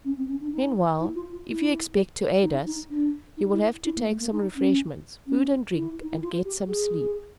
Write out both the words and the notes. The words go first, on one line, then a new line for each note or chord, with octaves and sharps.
Meanwhile, if you expect to aid us, you will have to take some refreshments, food and drink, and get some sleep.
C#4
C4
C#4
D4
D#4
E4
F4
F4
E4
D#4
D#4
D4
D#4
E4
E4
A#3
A3
A#3
D#4
C#4
C#4
E4
D#4
E4
F4
G4
G#4